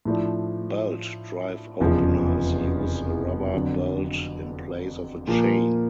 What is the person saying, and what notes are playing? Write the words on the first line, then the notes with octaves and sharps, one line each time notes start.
Belt drive openers use a rubber belt in place of a chain.
A2 F3 A3 D4
F1 E2 C#3 F3
F2 D3 F#3
A#2 F3 A#3